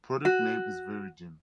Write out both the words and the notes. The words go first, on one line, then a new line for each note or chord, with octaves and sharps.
Product name is Veregen.
F#4